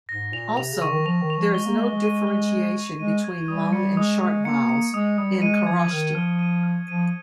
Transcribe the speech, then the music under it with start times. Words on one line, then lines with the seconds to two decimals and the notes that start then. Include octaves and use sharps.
Also, there is no differentiation between long and short vowels in Kharosthi.
0.09 G#2 A#6
0.33 A#2 F7
0.57 C3 F7
0.73 C#3
0.82 C#6
0.90 D#3
1.06 F3 F7
1.22 D#3
1.30 F7
1.38 F3
1.54 G#3 G7
1.66 A#3
1.78 G#3 G7
1.91 G#3
2.03 D#7
2.27 G7
2.52 G#6
2.76 D#7
2.99 G#3 D#7
3.24 G#6
3.48 G3 D#6
3.72 G3 C#7
3.97 G#3 D#6
4.21 G#3 D#6
4.45 A#3 C#7
4.69 C#7
4.94 G#3 D#6
5.18 G3 D#6
5.42 G#3 D#7
5.67 F3 G#6
5.91 D#3 F6
6.15 F3 F6
6.39 D#7
6.63 F6
6.88 F3 D#7